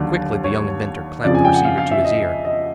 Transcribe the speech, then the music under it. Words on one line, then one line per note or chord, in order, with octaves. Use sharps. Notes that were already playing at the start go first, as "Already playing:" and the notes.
Quickly the young inventor clamped the receiver to his ear.
Already playing: D#2 D3 F#3
C#5
F2 C#3 F3 D5
G#5
G5
F#5
F5
F5
E5
D#5
D#5